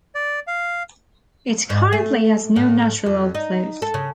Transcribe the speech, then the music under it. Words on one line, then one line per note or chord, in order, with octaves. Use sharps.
It currently has no natural outflows.
D5
F5
G#2
A3
A2
F2
D#4
A4
C#3